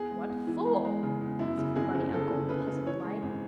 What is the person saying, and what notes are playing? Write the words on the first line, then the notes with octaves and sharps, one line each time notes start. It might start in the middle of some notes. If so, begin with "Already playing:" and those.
"What for?" asked the bunny uncle, puzzled like.
Already playing: E2 G#4
G#3
E2
E3
G#3
G#3
C#3
E2
F#2 E4
C#3
F#1 G#4
F#1
C#3 A4
F#1
C#3 B4
C#3
E3 C#5
G#3
G#1